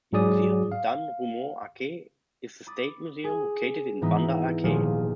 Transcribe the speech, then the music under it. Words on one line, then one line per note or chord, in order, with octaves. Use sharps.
The Museum dan Rumoh Aceh is the State Museum, located in Banda Aceh.
G#2 F#3 G#4 D5 D#6
F5
B5 D6 D#6 A6
G#4
G#2 E3 B3 D#4 E5
D#1 F3 G#4 F6 D#7